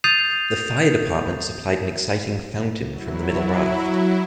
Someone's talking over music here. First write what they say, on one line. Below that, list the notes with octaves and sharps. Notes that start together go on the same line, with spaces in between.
The fire department supplied an exciting fountain from the middle raft.
D#6 G6 A6 C7 D#7 F7
F#3 E4